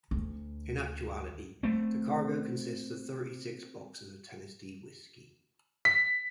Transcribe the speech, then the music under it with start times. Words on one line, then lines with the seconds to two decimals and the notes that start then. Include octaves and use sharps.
In actuality, the cargo consists of thirty-six bottles of Tennessee whisky.
0.11 D2
1.63 A3 C4
5.85 B6